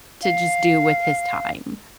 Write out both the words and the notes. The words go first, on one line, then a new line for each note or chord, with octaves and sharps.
to just do with his time.
F5